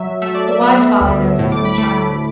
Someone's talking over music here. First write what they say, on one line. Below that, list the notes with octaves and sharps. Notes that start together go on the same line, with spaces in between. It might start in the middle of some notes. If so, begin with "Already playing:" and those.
The wise father knows his own child.
Already playing: F#3 E5
A3 E5
D5
E5
B3 E5
D2
A2
D6
B5
A3 D6